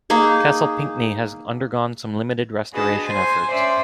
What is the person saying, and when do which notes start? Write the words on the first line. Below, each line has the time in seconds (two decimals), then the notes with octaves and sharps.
Castle Pinckney has undergone some limited restoration efforts.
0.10 A#3 D#4 G#4
2.72 D4 F#4 G#4 B4 D#5 A5
3.04 C5 G#5
3.50 C#4 C5 D5 E5